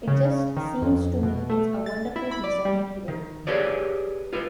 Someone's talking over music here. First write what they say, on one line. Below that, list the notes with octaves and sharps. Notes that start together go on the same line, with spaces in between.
It just seems to me it's a wonderful piece of material.
C#3
D#3
F2
B2
A3
A6
E4
B5
D5
G3
D#3
G4 G#4 B4 C#5 D5
F4 B4